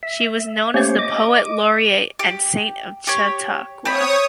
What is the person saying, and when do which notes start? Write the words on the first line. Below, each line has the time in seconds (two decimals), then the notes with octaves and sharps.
She was known as the "Poet Laureate and Saint of Chautauqua".
0.03 E5
0.74 A3 A#3 C#4 G4 C5 C#5
0.99 D#5 D6
2.19 G4
3.07 G4 C#5
3.85 C4 C#5 B5 D#6